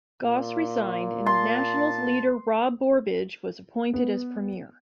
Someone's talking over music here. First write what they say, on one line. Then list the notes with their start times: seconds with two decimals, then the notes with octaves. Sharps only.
Goss resigned, and Nationals leader Rob Borbidge was appointed as Premier.
0.24 A#2
1.26 A5 C6
3.94 B3